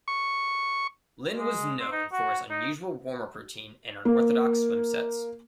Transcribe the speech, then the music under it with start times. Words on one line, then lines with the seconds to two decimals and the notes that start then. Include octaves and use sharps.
Linn was known for his unusual warm-up routine and unorthodox swim sets.
0.08 C#6
1.37 G#3
1.80 C4
1.92 D#4
2.12 F#4
2.50 D#4
4.05 A#3